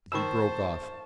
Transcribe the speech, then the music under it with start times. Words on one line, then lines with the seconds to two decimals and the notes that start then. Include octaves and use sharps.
He broke off.
0.12 D#3 C5 A5 B5 C#6 E6 E7